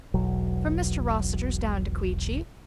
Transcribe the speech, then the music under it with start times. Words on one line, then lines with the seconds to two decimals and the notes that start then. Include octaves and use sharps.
"From Mr. Rossitur's down to Queechy."
0.14 E1 B1 F#3